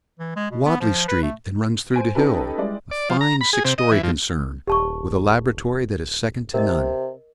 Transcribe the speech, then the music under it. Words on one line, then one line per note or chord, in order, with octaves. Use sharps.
"Wadley street and runs through to Hill--a fine six-story concern, with a laboratory that is second to none."
E3
G#3
B2
B3
F3
B4
A3
C5 G#5 D7
C#4 D#4 G4 A4 B4
G3 G#3 E4 D5
D5
F3
A#5
B5
G#4
C3
D#5
E3
F2
D#1 G4 A5 C#6
C3 A#4 D#5